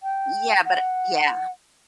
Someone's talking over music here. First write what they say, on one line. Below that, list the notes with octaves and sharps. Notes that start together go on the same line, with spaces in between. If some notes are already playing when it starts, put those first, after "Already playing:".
yeah but yeah.
G5
F#5